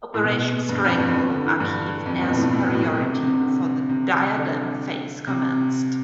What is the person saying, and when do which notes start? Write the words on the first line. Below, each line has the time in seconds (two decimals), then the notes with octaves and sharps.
Operation Strangle achieved air superiority before the Diadem phase commenced.
0.14 A2
0.23 B2
0.69 G2
0.85 F2
0.99 G2
1.30 D3
1.46 E3
1.60 G2
2.06 F2
2.21 G2
2.30 B2
2.37 A2
2.52 A2
2.75 A2
2.99 C3
3.13 D3
3.23 C3
3.28 D3
3.89 C3
4.36 D3
5.27 C3